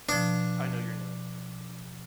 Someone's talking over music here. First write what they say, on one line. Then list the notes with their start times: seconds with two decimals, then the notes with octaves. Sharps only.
I know your name.
0.09 B2 F3 D4